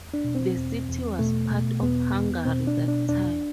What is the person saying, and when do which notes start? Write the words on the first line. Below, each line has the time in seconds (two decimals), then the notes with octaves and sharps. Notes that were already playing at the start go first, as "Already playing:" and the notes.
The city was part of Hungary that time.
Already playing: E2
0.14 D4
0.24 B2
0.35 C4
0.56 E2
0.88 E2
1.19 B2 A3
1.50 B2
1.82 E2 B3
2.14 E2
2.45 B2 C4
2.67 D4
2.78 B2
2.88 D4
3.08 E2 D4